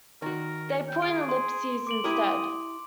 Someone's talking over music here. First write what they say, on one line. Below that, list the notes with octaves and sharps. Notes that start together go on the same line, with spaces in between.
They put in ellipses instead.
D#3 F#4 A#4
G5
G#4 D7
C6
D6 D7 F#7
E4 G4 A#4 D6 D#6